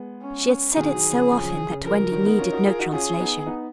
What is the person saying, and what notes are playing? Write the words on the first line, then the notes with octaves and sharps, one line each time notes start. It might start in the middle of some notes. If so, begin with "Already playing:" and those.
She had said it so often that Wendy needed no translation.
Already playing: G#3 B3
C#4
B2 D#3 G#4
D#3 F#3
C#3 F3
C#3 F3
C#3 F3
C#3
C#3 F3 A#4
C#3 F3
D#3 F#3
B3 D#4
C#4 F4
D#4 F#4
F4 G#4
D#4 F#4
C#4 F4 G#4
B3 D#4
B3 D#4